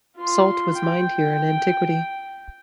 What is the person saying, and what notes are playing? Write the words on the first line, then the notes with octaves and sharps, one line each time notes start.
Salt was mined here in antiquity.
F4 C6
G5